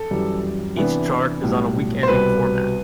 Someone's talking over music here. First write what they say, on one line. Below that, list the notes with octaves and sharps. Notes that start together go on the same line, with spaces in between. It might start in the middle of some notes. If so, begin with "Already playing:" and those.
Each chart is on a week-ending format.
Already playing: A4
F#2 E3 G3
C3 E3 B3 D4
B1 A2 G3
C5
C2 B2 G3 C4 B4